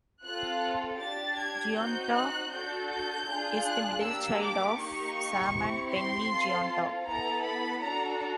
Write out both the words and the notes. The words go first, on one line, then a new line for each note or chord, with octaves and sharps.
Gionta is the middle child of Sam and Penny Gionta.
C4 F4 A4 F#6
D4 G4 A6
G#6
C4 D#4 F#4 G6
F#6
D4 F#4 A4 G6
G6
D4 F4 G#4
F#6
A#3 D4 G4 E6
D6
A#3 D#4 G4 C#6
C4 E4 G4
C6
C4 F4 A4
B3 E4 A4 A#5
B5
D4 F#4 A4 A#5